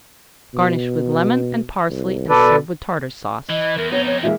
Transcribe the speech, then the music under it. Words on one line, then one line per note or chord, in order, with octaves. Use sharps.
Garnish with lemon and parsley and serve with Tartar Sauce.
B2
C2
B2 A4 B4 D5
E3 D#5
E2 A#4
F2 B3 D#4 C#5
C#5
E3 G#3 A#3 E5